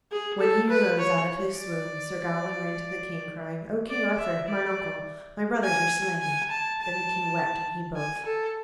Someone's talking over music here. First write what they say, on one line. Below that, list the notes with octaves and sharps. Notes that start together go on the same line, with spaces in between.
When he arose out of his swoon Sir Gawain ran to the king, crying, "O King Arthur, mine uncle, my brothers are slain." Then the king wept and he both.
G#4
A4
B4
C#5
D5
D5
E5
D5
G#5
G#5
A5
A5
G#5
A4